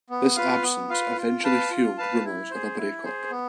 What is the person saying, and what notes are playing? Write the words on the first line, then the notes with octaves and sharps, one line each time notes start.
This absence eventually fueled rumors of a break-up.
B3
F4 B4 F5
B3
F4 B4 F5
F4
B4 F5 A5
F4
B4 F5 A5
E4
G#4 C5
E4
G#4 C5
B3